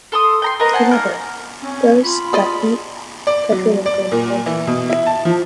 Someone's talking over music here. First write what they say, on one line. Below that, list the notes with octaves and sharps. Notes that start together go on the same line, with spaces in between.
However, those that eat Pedrillo go mad and die.
A4 C6 D#6
G5 A#5 C6
A#4 B4 D#5 A#5
C5 F#5 G#5 A5
A#3 D#4 A#4
C4 C#4
F4 B5
G#4 D5 D#5
D5
F#3
D5
A#2
E3
B2
E4
A5
F3